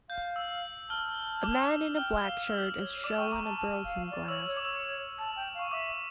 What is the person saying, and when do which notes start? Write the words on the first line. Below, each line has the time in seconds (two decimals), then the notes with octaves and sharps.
A man in a black shirt is showing a broken glass.
0.09 F5 G6
0.36 E6
0.89 A5 F6
1.44 D6
1.97 G5 F6
2.24 F5
2.50 E6
2.77 C#5
3.04 D5 D6
3.17 G5 C#6
3.31 A#5 D6
3.44 A5
3.58 A5
3.84 F5
4.11 D5
4.28 C#5 E6
4.46 C#5 E6
4.57 D6
4.65 E6
5.18 A5 E6
5.36 G5
5.55 F5 C#6
5.72 E5 D6